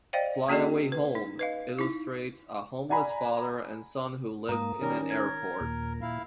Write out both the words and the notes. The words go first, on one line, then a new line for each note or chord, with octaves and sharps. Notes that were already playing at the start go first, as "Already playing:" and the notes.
"Fly Away Home" illustrates a homeless father and son who live in an airport.
C5 D5 D#5 F5 G5
A#3 C#4 F#4 G#4 D#5
B4
D#4
B4 D#5 F5
D#4 E4
D5 F#5 G#5 A#5 B5
G#2 A#3 A#5 D#6
D#3 G3 C#4 A#4
A#4 G#6
D#2 A#2
A#2 E4 F5